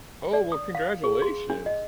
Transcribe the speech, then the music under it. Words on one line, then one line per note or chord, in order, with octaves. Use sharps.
Oh, well, congratulations!
D5
D#6
F5
G#4
C6
D4
D#5